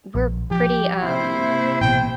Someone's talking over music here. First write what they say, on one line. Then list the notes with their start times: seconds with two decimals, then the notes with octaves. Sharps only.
we're pretty, um
0.15 A#1
0.51 F3 G4
1.02 C3 A#3 E4 C5
1.82 A1 B2 G5